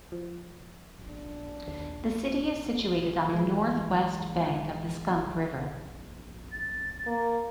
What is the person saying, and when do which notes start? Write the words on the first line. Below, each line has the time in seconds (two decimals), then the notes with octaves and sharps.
The city is situated on the northwest bank of the Skunk River.
0.12 F3
1.07 D4
1.68 D#2
3.29 E3 G#3
6.52 A6
7.06 A#3